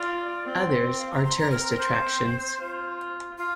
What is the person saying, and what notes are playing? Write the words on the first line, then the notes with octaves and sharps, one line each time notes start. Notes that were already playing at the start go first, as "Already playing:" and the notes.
Others are tourist attractions.
Already playing: F4 D5
C4
F5
A#5
C6
A#5
C4 A#4
A#4
C5
C4
F4
F4